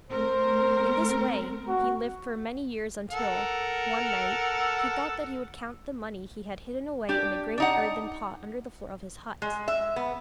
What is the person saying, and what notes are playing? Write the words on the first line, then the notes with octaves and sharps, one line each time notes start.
In this way he lived for many years until, one night, he thought that he would count the money he had hidden away in the great earthen pot under the floor of his hut.
A3 C4 A#4 C5
F#4
A4 A#4 F#5
D4 G4
D4 D#4 F#5
G#3
E5
B3